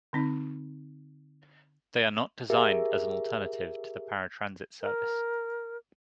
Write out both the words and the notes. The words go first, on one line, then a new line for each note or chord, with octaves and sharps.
They are not designed as an alternative to the paratransit service.
D3 C4 D#4
G4 G#4 A#4 E5
A#4